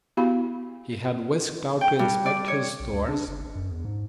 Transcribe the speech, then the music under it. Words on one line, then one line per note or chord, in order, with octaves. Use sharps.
He had whisked out to inspect his stores.
B3 E4 F#4 G4 F5 B5
G5
G2
D5
C#5
B1
D2
D4
F#1
G1
F#2
E2
G#2